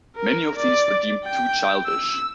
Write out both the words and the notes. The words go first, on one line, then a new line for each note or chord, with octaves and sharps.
Many of these were deemed too childish.
A#4
D5
G5
E6